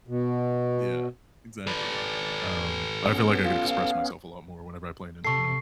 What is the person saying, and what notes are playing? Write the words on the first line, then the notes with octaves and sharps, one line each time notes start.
yeah, exactly, um, I feel, like, I could express myself a lot more whenever I play an instrument.
B2
A4 B4 D5
B3 C#4
F4
F5
C3 A4 C#6 C7